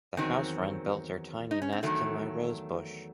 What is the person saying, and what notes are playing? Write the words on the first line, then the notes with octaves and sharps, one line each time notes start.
The house wren built her tiny nest in my rose bush.
E2 D#3 F#3 C4
D#4
C#4
C4
E2 D#3 F#3 A3